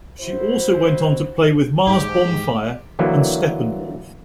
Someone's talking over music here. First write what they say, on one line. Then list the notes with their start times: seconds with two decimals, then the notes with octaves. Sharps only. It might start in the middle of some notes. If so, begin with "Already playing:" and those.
She also went on to play with Mars Bonfire and Steppenwolf.
0.21 E4 F#4 C5
1.87 G#2 E3 G4
2.99 D3 E3 F#3 A#3